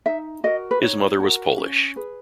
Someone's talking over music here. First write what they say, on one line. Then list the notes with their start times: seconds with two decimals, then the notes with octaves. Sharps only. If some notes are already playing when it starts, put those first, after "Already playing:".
His mother was Polish.
0.06 D#4 E5
0.44 F#4 A#4 D#5
0.71 B4
0.82 D#4 C#5
1.20 F#4 A#4
1.58 C#4
1.96 G#4 B4